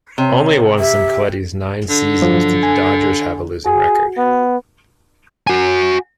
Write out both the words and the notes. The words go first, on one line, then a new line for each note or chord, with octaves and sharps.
Only once in Colletti's nine seasons did the Dodgers have a losing record.
C3 C#5
G4 E5
D3
G2 F3 F#3
G#5
F#4 G#4
B3
F#4 G#5